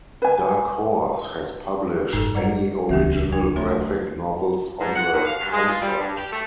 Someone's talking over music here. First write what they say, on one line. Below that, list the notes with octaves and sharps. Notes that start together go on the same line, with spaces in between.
Dark Horse has published any original graphic novels on the concept.
B4 G#5
F#1 G#2 D#4 A4
G3 F#5 A#5
D#1 C#2 E3 B3 C4 E5
D4
A3 C#5 C6
G#2
F#5
D#2
F5
G2
G#3
F4
G3
G2
G4
A3